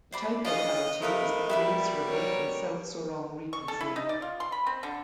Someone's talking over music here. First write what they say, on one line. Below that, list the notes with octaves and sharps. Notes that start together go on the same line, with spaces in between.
The type locality is the Kais River in South Sorong Regency.
C5 D5 B5
C#3 E3 D4 F4 C#5 D#5 F5
C3 A3 A#4 B4 D#5 F5 B5
B2 G3 E4 B4 B5
A#4 C#5
C#6
A4
E4
D#4
D5
F4
C6
B5
C4
D3